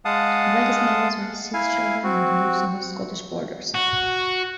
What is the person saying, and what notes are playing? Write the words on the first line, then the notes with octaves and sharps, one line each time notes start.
Blake is married with six children and lives in the Scottish Borders.
G#3 F5 F#5 A5 D#6
E4 F5 G#5
C4 F#4
F#4